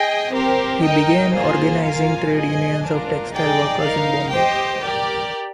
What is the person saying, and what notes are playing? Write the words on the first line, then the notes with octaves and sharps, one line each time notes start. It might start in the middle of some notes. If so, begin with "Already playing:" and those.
He began organizing trade unions of textile workers in Bombay.
Already playing: G#4 D#5 G5
C4 G4 A#4
D#4 A#4 D#5 G5
A#3 F4 G#4 C5
A#3 F4 A#4 F5 G#5
G#4 D#5 G#5
D4 F4 A#4
D#4 G#4 D5 G5
D#4 A#4 F5
G4 C5 D#5 G5
G4 A#4 D5